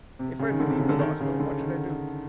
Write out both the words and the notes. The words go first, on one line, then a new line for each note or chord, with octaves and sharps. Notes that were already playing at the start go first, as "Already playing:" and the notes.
If I believe the gospel, what should I do?
C3
C#3
D#3
D3
C3
C#3
D3
D#3
C#3
D3
D#3